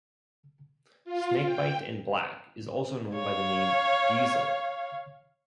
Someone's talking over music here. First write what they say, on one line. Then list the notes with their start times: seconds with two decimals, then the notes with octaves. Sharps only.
Snakebite and black is also known by the name diesel.
1.05 F4
1.45 G5
3.15 C#5 F5